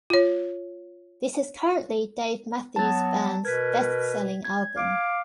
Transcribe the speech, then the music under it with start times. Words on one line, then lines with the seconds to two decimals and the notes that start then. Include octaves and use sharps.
This is currently Dave Matthews Band's best-selling album.
0.10 F4 C#5
2.76 F#3 B3 A5 A6
3.45 B2 A#4 B4 G#6 B6
4.45 G#6
4.77 F5 D6